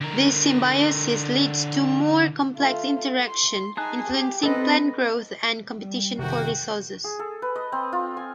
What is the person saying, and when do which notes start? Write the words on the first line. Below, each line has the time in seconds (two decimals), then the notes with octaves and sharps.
This symbiosis leads to more complex interactions, influencing plant growth and competition for resources.
0.01 D3 A#4
2.56 A3 F4
3.28 C6
3.77 D#4 G#4 G#5 A5 F#6
4.08 G4
4.43 C4 D#4 A4 B4 D#5
5.77 G3
6.19 F#1 C3 D#3 F#4 G5
7.04 G#4
7.19 A4
7.42 B4
7.56 D#5
7.72 C4
7.93 F4
8.17 G#5